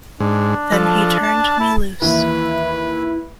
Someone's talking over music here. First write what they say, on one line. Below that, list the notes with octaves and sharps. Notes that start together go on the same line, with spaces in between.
Then he turned me loose.
G#2 D4
F3 A4
A5
E4
D#2 E3 E4 B4